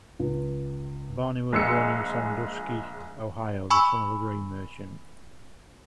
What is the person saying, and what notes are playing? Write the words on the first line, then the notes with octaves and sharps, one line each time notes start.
Barney was born in Sandusky, Ohio, the son of a grain merchant.
C#2
A#1 G#3 E6 C#7
G#5 B5 C#6 E6